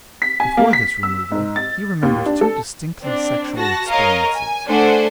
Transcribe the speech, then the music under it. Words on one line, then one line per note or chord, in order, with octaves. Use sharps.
Before this removal, he remembers two distinctly sexual experiences.
B6
G#5
A#3
B6
E6
G#2
A6
D#2
D4
A4
C4 D4
F#4 A5 A#6
A#4 C#5 D#5 F5
G#5
A3 D4 A4 C5 F#5 G#5